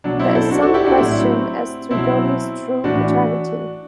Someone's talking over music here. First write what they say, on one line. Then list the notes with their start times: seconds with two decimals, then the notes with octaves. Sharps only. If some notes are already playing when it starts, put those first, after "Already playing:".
There is some question as to Jochi's true paternity.
0.04 B2 F#3 D4
0.19 C4 E4
0.35 A4 C5
0.51 D4 F#4
0.62 F#4 A4
0.74 E4 G4
0.86 D4 F#4
0.97 A2 F#3 C4 E4
1.91 B2 F#3 C4 E4
2.84 A2 E3 D4 F#4